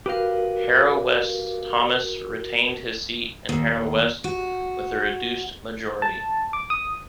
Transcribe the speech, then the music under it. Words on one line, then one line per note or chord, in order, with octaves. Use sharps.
Harrow West's Thomas retained his seat in Harrow West with a reduced majority.
F#4 G4 A#4 B4 F5
D#2
F#4
A5
D6
D#6